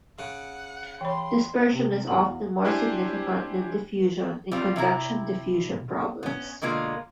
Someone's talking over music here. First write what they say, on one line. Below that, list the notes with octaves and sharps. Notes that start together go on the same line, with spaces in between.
Dispersion is often more significant than diffusion in convection-diffusion problems.
C#3 F#5
E3 C#5 G5 B5 C6
C3
E2 F#4 F5 F#5 F#7
D4 E4 G4 C5 G#5
G3 C4 F4
C3 D4 E4 A#5
B3 C#4
B2 D3 G#3 A#3 F4